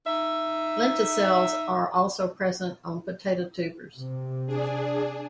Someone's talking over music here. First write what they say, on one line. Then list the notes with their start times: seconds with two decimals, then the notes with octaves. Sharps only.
Lenticels are also present on potato tubers.
0.07 D#4 E5
3.97 C3
4.46 D4 G#4